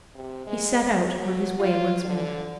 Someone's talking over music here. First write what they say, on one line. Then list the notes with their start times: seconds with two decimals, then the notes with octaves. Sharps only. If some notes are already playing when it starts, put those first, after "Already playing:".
He set out on his way once more.
0.15 C3
0.47 G#3
1.03 F#3
1.60 F4
2.05 D3